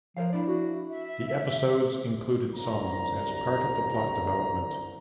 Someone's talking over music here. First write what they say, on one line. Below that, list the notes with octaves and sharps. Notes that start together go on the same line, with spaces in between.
The episodes included songs as part of the plot development.
F3 A#4 C5 F5
D4 E4 D5
F#4
E5
G1 C2 F#2 A#5